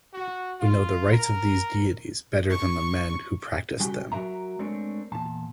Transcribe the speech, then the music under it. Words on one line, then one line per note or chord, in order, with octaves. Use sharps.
We know the rites of these deities better than the men who practiced them.
F#4
F4
A#4
C#6
C#3 G3 F#4 G4 G5
F#3 F#4 G4 A#4 E5 A#5
G#3 A3 C4 D4 A#4 C#5
E2 A#2 A5